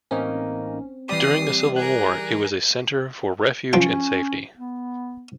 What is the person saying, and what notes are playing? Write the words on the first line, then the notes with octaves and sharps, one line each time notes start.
During the civil war it was a centre for refuge and safety.
A1 A#3 C4 C#4 D#4
E3 G3 G4 D5 D#6 C7
G#4 A#4 F#6
F3 C#4 G5
B3